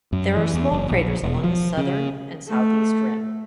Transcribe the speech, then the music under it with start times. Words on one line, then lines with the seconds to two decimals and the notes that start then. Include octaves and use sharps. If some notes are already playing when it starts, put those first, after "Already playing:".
There are small craters along the southern and southeast rim.
0.13 F#2
0.37 E3
0.54 E2
0.71 F#1
0.91 A#1
1.23 E1
1.44 F3
1.77 C#3
2.48 A3